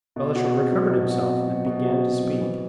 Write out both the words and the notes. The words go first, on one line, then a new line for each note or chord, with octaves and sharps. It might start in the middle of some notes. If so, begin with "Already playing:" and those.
Balashev recovered himself and began to speak.
B2
F#4
C4
F#3
B2
F#4
C4
F#3
B2
F#4
C4
F#3
E3